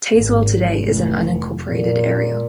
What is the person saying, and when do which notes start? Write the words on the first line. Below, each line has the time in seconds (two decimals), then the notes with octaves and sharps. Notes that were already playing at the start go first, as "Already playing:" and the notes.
Tazewell today is an unincorporated area.
0.14 G#1
0.75 F1
1.68 A#2